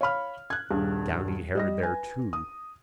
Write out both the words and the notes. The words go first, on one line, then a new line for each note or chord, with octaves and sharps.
Downy hair there too.
C#5 F5 B5 F6
F#6 G#6
D#1 G2 G#4
G3 D#5 A#6
B4 G#5
D#6